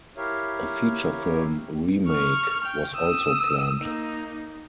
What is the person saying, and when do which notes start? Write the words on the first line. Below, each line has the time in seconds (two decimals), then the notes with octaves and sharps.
A feature film remake was also planned.
0.17 E4 G4 A#4 C#5 E5 F5
2.08 C#6 F6
2.65 G5
2.95 D#6 E6
3.79 A#3 D#4